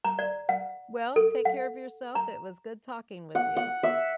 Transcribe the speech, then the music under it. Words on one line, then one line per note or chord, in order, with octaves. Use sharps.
well, take care of yourself, it was good talking with you.
A#5
D5
F#5
A4
F#5
A#5
F#5
F#5
E5